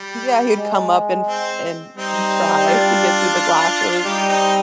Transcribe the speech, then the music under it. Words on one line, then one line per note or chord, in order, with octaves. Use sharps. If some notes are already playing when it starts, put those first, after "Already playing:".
Yeah, he'd come up and f and try to get through the glass was
Already playing: G3
G#3
C4
G3 C4 D#4
D4 F4
G3 D#4 G4
C4 D#4